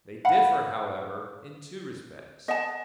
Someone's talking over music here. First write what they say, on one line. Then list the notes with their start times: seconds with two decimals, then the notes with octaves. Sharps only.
They differ, however, in two respects.
0.25 F5 F#5 B5
2.48 D#5 F#5 A5